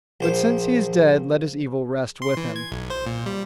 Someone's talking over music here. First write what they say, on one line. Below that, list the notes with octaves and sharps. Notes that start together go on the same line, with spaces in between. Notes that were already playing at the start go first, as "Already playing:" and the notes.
But since he is dead let his evil rest with him.
A#1 C5
C6
E3
G#6
B1
C5
A#2
G3